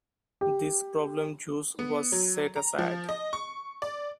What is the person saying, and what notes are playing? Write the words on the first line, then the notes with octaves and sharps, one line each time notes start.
This problem juice was set aside.
G4
B3
F#3
A#5
F3
D#5
C#6
D5